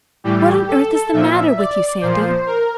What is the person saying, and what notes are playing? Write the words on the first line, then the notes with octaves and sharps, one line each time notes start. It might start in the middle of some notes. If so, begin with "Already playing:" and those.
What on earth is the matter with you, Sandy?
A2 E3 G3 G4
A4
A#2 F3 E5
D5
A#2 F3 C5
A#4